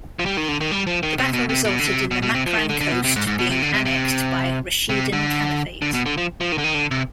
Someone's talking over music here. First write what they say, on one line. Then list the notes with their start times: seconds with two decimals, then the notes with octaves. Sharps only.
The battle resulted in the Makran coast being annexed by Rashidun Caliphate.
0.19 F3
0.26 G3
0.37 D#3
0.48 D3
0.61 D#3
0.71 G3
0.87 F3
1.03 D#3
1.18 C3
1.33 B2
1.49 C3
1.65 B2
1.79 D3
1.88 C3
2.11 B2
2.22 B2
2.35 C3
2.46 F3
2.57 D#3
2.69 D3
2.80 D3
2.92 B2
3.04 C3
3.16 G#2
3.27 G#2
3.39 B2
3.51 C3
3.62 D3
3.74 C3
3.85 C3
4.89 C3
5.13 D3
5.82 D3
5.94 B2
6.06 D3
6.17 F3
6.41 F3
6.52 D#3
6.58 D3
6.64 D#3
6.75 D3
6.91 C3